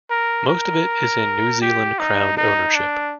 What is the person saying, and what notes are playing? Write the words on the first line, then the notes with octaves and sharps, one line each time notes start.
Most of it is in New Zealand Crown ownership.
A#4
A#4
G4
D#4
D#4
D4